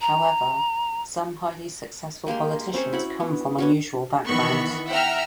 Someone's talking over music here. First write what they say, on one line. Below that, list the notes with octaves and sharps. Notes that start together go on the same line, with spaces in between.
However, some highly successful politicians come from unusual backgrounds.
A#5
G#3 A#3 G4 C6
C4 C#4 C5 C#5
E4 F#4 B5
B3
B3 C#4 F#4
D#3 E3 B3 B5 C#6
E5 F#5 G5 A#5 E6 F6